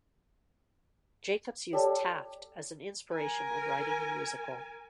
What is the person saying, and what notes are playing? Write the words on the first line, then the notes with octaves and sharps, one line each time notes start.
Jacobs used Taft as an inspiration in writing the musical.
G4 A4 C#5 D5
A#4 G#5